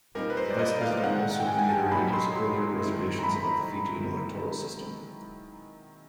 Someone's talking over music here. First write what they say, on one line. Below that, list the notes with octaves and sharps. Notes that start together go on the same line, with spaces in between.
The Vice-President also reiterated his earlier reservations about the Fijian electoral system.
A#2 G3 C4 D#4 A#4
B4
C5
D5
D#5
F5
D#3 G#3 C4 F#5
G5
G#5
G#5
A5
B2 F#3 A#3 D#4 B5
C6
C6
D#3 G#3 C4 E4
A#5
B5